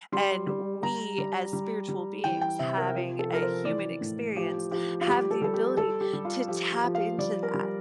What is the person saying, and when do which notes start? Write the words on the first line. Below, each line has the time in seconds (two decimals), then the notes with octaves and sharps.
and we as spiritual beings having a human experience, have the ability to tap into that,
0.12 G3 C6
0.47 G3
0.83 G3 A#5
1.18 G3
1.53 G3
1.88 G3
2.24 E3 G5
2.41 G5
2.59 C3 E5
2.77 A#4
2.95 F3
3.19 A4
3.30 F3 A#4
3.42 C5
3.65 E3 D5
4.01 A2
4.36 F3 G4
4.71 F3 G4
5.01 F4
5.07 G3 G4
5.31 A4
5.42 G3 A4
5.54 G4
5.77 G3 A4
6.01 G4
6.13 G3
6.25 F4
6.48 F3 G4
6.72 G4
6.84 F3
6.95 F5
7.18 G3 D5
7.43 A#4
7.54 G3